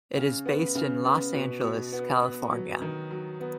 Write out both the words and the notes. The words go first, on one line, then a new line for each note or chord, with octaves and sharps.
It is based in Los Angeles, California.
C#3
B3
C#3
B3
B2
B2
B3
B3
F#3
D#3
F#3
B3